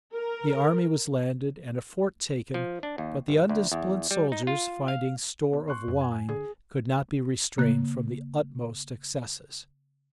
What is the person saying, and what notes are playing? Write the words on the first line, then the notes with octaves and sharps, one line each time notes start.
The army was landed, and a fort taken; but the undisciplined soldiers, finding store of wine, could not be restrained from the utmost excesses.
A#4
F3
D4
D#2
G1
D2
E2
G3
D#4
F4
F5
B2
C6 C#6 F#6
F#2
G#5
D3 G#4
C#3 A#3 F#6